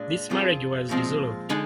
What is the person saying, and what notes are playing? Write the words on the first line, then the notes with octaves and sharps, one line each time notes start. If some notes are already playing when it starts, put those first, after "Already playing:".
This marriage was dissolved.
Already playing: A#2 G#3 D4
F3 C4 F4 G#4
A#2 F3 G#3 C4
D3 G#3 D#4